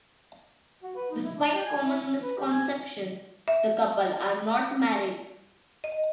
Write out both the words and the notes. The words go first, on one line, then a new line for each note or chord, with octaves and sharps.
Despite common misconception, the couple are not married.
F#4
B4
D#4
E4
D4
G4
G#5
E4
C#4
B4
G4
G#5
E5
D#5